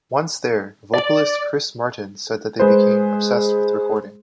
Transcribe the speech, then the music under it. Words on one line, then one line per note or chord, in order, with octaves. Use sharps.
Once there, vocalist Chris Martin said that they became obsessed with recording.
D5
G#3 G#4 B4 C5